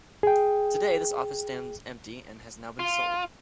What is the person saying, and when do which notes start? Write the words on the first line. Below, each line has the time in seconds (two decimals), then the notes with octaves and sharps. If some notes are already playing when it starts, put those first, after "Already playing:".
Today, this office stands empty and has now been sold.
0.23 G#4 G5
2.79 F4